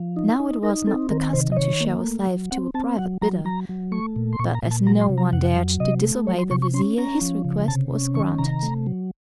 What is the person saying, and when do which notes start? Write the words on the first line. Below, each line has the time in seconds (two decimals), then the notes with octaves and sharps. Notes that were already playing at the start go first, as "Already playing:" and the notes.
Now it was not the custom to show a slave to a private bidder, but as no one dared to disobey the vizir his request was granted.
Already playing: F3
0.16 D#4
0.40 D#4
0.63 D#4 A#4
0.87 C4 A4
1.10 D#3 A#4
1.33 C3 C5
1.52 D#5
1.57 D#3 C#5
1.81 A#3
2.04 A3
2.27 F#3
2.51 C4 F#5
2.74 C4 A5
2.98 F#3 F#5
3.22 F#3 A#5
3.45 F#3 A#5
3.69 F#3
3.92 A3 C#6
4.16 A#2
4.33 C6
4.39 A#2 C#6
4.55 A#5
4.63 A#2
4.71 A5
4.86 F#3 A#5
5.01 C6
5.09 C3
5.18 A#5
5.33 F2 F#5
5.57 F#3
5.80 C3 D#5
6.04 A3
6.27 F#3 C#5
6.39 C6
6.51 C3 C#6
6.62 C#6
6.74 C#4 C6
6.98 C#4 A#5
7.21 F3
7.44 C#3
7.68 C3 A5
7.92 C#4
8.15 D#3 C#6
8.38 C3 A#5
8.62 A3
8.86 F#3